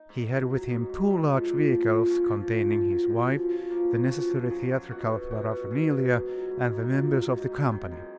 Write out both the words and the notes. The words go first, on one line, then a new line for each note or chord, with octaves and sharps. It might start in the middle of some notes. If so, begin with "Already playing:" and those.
He had with him two large vehicles containing his wife, the necessary theatrical paraphernalia, and the members of the company.
Already playing: D#4
G#2
F#3
F#3
G#2
G#2
G#2
F3
A#2
F3
F3
F3 C#4
F3
F3
F3
F3 F#3
F#2
F3
F3
F3 A#3
F#2
F3 F#4
F3
F#3 G#4
F#3
B2 F#4
B2
B2 F#4
B2
B2 G#4
F#3
G#2
F#3
G#2
G#2
D#4
F#3 F4
F#3
G#2 D#4
G#2
D#3 D#4
F#2